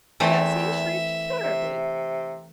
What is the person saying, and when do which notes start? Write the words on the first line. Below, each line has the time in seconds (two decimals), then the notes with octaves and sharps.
Yes, he shrieked terribly!
0.20 E2 E3 A3 C4 E5
1.44 C3